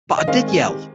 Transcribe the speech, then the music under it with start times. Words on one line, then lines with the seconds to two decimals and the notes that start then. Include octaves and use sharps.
But I did yell.
0.18 D#5
0.28 D#3 G#3 C4 F5
0.48 G#4
0.67 G4